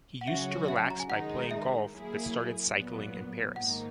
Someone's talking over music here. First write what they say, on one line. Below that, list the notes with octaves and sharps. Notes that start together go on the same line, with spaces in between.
He used to relax by playing golf but started cycling in Paris.
F#5
C#3 F#3 C#4 F#4 E5
E5
A#5
G#5
D#3 G#3 D#4 F#5
E5
F#3 A#3 E4 G#4
A#2 F#3 B3
G#2 D#3 A#3 D#4 F#5